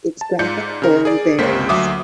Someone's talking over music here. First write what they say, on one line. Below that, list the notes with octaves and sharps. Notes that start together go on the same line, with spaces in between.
Its graphic form varies.
A5
G#2 F4 D5 G6 C#7
C#3 A#4
G#4 D5
G1 C#2 A#3 C5 B6
D2 F#3 E5 D6 D#6